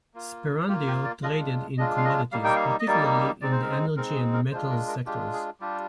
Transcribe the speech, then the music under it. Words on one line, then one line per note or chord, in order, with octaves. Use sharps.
Sperandeo traded in commodities, particularly in the energy and metals sectors.
A#3 F4
A#3 F4 G4
G4
D5
G#3 D4 F4 D#5
G#3 D4 F4 D#5
F5
D#5
G3 A#3 D#4 F5
G5
F5
D#5
G3 A#3 D#4 D5
G#3 C4 D#4 D5
C5
A#4
C5
G#3 C4 D#4 A#4
G#4
A#4
G#3 D4 F4 C5
A#4
A#4
G#3 D4 F4 G4
G#4
G3 D4 F4 G4